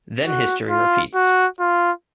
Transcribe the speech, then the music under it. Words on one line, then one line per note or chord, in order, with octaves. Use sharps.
Then history repeats.
F#4
F4
F#4
F4